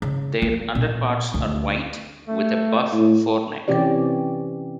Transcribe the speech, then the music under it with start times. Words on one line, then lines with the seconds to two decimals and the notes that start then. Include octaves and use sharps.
Their underparts are white, with a buff foreneck.
0.02 C#3
0.42 A#3
0.75 A#2
1.34 D2
2.28 A3
2.93 A2
3.68 C3 E3 C#4 G4 D5